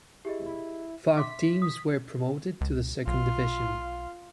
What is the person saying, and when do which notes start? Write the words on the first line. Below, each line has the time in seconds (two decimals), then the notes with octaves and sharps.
Five teams were promoted to the second division.
0.25 E4 G4 G#4 D#5
0.46 E4
1.17 E5 C6 D6 B6
1.62 D#6
2.61 C#2
3.07 B1 F4